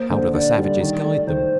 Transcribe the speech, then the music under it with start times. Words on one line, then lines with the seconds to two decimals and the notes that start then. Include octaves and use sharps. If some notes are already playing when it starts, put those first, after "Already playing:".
How do the savages guide them?
Already playing: A#3 C5
0.10 D3
0.34 D3 D5
0.58 G3
0.80 D#3
1.04 A3
1.27 D#3 C5